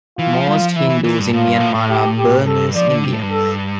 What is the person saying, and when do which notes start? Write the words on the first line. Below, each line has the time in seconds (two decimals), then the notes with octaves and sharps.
Most Hindus in Myanmar are Burmese Indians.
0.18 E3 F4
0.33 F3
0.47 G3 F4
0.61 F3
0.76 E3 E4
0.89 E3
1.04 E3
1.19 G2
1.32 A2 F4
1.47 G2
1.60 A2
1.75 A2
1.90 G4
2.18 G4
2.46 G2 A4
2.75 F3 D5
2.89 D3
3.04 C3
3.13 A2
3.23 G2
3.32 A4